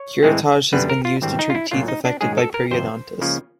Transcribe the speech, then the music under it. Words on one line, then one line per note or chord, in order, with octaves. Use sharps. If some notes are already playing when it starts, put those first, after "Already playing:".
Curettage has been used to treat teeth affected by periodontitis.
Already playing: C#5
A2 E3 G#3 C4
F#2 D3 G3 B3 B4
A#4
F4
G#1 G2 E3 G3 C4
D#4
F4
E4
B1 A#2 F#3 A3 F4
D#4
D4
G#2 D#3 G#3 C#4 G#4
A4
A#4
G1 F2 C3 C5
C#2 C#3 F3 A#3 C#4